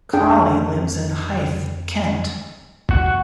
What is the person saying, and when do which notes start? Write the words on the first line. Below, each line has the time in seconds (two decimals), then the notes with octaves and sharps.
Colley lives in Hythe, Kent.
0.13 F2 D4 G#4 G5
2.91 F#4